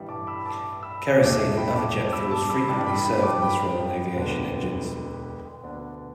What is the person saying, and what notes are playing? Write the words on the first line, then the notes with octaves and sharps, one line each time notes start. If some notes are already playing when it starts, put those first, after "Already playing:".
Kerosene and other jet fuels frequently serve in this role in aviation engines.
Already playing: A1 G2 E3 G3
A5 D6
B5 E6
A5 D6
B5 E6
E1 E2 B2 A3 D4 A5 D6
E5 A5
G5 B5
A5 D6
A5 D6
B5 E6
A5 D6
B5 E6
A1 G2 G3 D4 A5 D6
G5 B5
G5 B5
A5 D6
G5 B5
E1 D2 D3 B3 D4
D2 D3 B3 D4